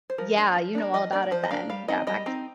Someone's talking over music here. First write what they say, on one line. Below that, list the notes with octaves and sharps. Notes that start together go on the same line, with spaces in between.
yeah, you know all about it then. Yeah, back
C5
F3 A#4
A#3 D4
F3
A#3 D4
F3 D#5
A#3 D4 D5
F3 C5
D#5
A#3 D4 F5
G3 F5
C4 D#4 D#5
G3 D#5
C4 D#4